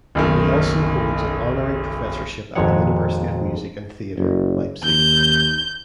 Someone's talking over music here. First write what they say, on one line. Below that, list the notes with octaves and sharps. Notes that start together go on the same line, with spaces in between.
He also holds an Honorary Professorship at the University of Music and Theatre Leipzig.
F#1 B1 D#3
G#1 F2 A#2 G#3 C#5 F#5
F#1
D#2 G6